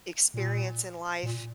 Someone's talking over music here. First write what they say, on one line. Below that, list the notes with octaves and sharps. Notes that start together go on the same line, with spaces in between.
experience in life
A#2
A#2